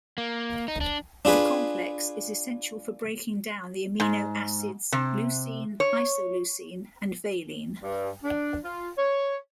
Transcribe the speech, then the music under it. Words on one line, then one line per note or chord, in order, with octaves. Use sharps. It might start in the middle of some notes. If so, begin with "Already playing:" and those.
The complex is essential for breaking down the amino acids leucine, isoleucine, and valine.
A#3
D#4
D4
D4 F4 G#4 B4
G#2
C3
C#5
G2
D4
F4
C#5